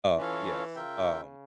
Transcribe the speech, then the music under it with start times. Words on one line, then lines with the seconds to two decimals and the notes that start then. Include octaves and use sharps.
Uh, yes, um,
0.17 E3 C#4 F4 A4 C#5 F5
0.75 C#3 F4 A#4 E5 G5